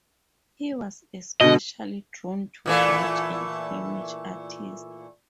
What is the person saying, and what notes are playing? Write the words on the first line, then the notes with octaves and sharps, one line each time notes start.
He was especially drawn to Dutch and Flemish artists.
B2 D3 D#5
A#2 E3 A3